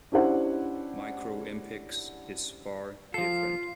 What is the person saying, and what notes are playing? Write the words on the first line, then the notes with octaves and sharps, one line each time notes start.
MicroEmpix is far different.
C#4 D4 E4 G4 C5 F#5
F3 F4 A4 C7